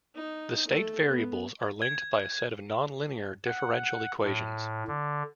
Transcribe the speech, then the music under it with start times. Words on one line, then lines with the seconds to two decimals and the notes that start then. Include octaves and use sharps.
The state variables are linked by a set of nonlinear differential equations.
0.15 D#4
0.68 A3 A4
1.07 B3
1.82 G#6
3.45 F#5
4.23 A2
4.88 D3